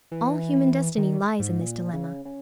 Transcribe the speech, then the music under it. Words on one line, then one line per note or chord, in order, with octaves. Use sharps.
All human destiny lies in this dilemma.
E3
D#3
G#2
A#2
C#3
C#3